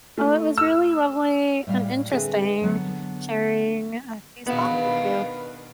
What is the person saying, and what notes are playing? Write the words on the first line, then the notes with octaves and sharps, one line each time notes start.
Oh, it was really lovely and interesting sharing, uh, these thoughts with you.
A3
E6
A2 G3 F5
D3 C4 G#4 A4 B4 E5
D3 F#3 B3
B2 D#3 B3 D4 B4 F5 B5